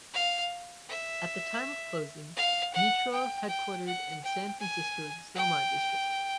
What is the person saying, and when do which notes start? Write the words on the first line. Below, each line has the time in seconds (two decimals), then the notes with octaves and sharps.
At the time of closing, Meetro headquartered in San Francisco's SoMa district.
0.14 F5
0.89 E5
2.37 F5
2.74 F#5
3.12 G5
3.48 G5
3.86 F#5
4.24 G5
4.60 G#5
5.35 G5